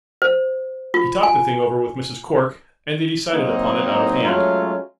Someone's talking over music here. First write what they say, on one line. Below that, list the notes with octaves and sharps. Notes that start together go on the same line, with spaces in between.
He talked the thing over with Mrs. Cork, and they decided upon it out of hand.
C5
F4
G#5
F#3 A#3 C4 D#4
F#3 G#3 A3 C#4 F4